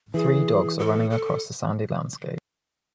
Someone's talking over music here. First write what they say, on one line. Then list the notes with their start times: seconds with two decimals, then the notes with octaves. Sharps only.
Three dogs are running across a sandy landscape.
0.14 E3 G#4
0.79 A4
1.11 A4